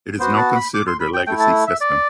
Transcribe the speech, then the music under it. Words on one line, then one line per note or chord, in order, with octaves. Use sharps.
It is now considered a legacy system.
B3 F#4 C5
A5
B5
D6
C6
B5
G5
A3 E4 G5
A5
E5
D5